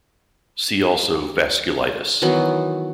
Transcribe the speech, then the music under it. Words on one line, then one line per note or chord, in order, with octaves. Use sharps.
See also vasculitis.
D#3 E3 F#3 B3